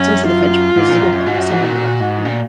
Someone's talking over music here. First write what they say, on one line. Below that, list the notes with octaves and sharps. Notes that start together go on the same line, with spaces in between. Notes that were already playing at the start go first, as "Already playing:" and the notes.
Some see the French victories as a good thing, some wonder whether to leave.
Already playing: F#2 C#4
F4
G#2
A#2
F#2
F#2
G#2 F#4
F#2
G#2
A#2
A#2
G#2
A#2